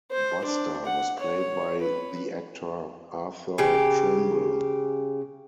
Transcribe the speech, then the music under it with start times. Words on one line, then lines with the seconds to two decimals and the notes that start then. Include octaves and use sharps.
Buster was played by the actor Arthur Trimble.
0.11 C5
0.45 D4
0.85 F#5
1.19 C#5
1.82 B4
3.58 C#3 G4